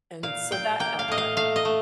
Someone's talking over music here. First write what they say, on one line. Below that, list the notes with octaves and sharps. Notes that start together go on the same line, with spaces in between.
And so that helps, I
A#2 F5
A#2 G5
A#3 G5
F5
A2 D#5
F5
A3 F5
D#5
A3